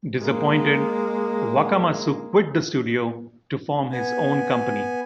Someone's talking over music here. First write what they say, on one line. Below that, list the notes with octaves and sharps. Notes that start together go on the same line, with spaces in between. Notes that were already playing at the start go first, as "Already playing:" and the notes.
Disappointed, Wakamatsu quit the studio to form his own company.
G#3 A#3
B3 G#5